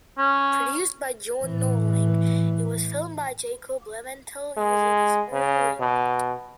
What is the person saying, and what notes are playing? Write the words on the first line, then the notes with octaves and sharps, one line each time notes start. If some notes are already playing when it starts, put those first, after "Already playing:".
Produced by John Norling, it was filmed by Jacob Leventhal using his own rig.
C#4
A2 E3
G#3
C#3
B2